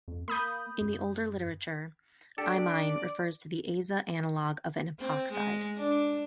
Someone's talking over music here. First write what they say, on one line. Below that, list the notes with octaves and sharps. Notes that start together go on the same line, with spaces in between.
In the older literature, imine refers to the aza analogue of an epoxide.
F2
A#3 B5 D#6 G6
F#2
D4 G4 A4 D5
C4
G#3
D4